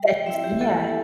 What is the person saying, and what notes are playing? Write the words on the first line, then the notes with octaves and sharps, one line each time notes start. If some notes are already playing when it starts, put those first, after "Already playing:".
That's just Yeah.
Already playing: G3
G5
C4 E4 E5
G4
G3 A4
A4